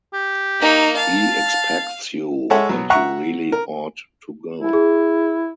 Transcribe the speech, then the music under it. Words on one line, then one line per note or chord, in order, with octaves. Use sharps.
He expects you, and you really ought to go.
G4
A#3 D#4
F5 A5
G#3 A4 C#5 E5 F#5
B2 F#3
E5 F#5 A#5 C#6 F#6
A#4
E4
G#4